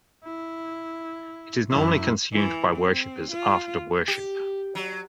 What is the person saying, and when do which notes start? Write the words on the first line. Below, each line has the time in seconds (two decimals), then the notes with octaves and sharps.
It is normally consumed by worshippers after worship.
0.25 E4
1.70 F#2 E4
2.33 E3
2.76 C4
3.31 F4
4.08 G4
4.75 F#3